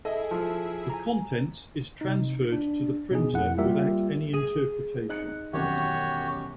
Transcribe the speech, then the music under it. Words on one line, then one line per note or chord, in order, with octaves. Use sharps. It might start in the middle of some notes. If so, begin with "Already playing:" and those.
The contents is transferred to the printer without any interpretation.
E4 G#4 A4 D#5 E5
F3
G#5 A#5
C3 D#4
D4
B2 D#4 G#4
F2 E4 F#5
G3 A#3 F4 G4 A#4 E5
G#4
D#4 F#6 C#7
E1 F#2 D#3 F#4 G4 C#5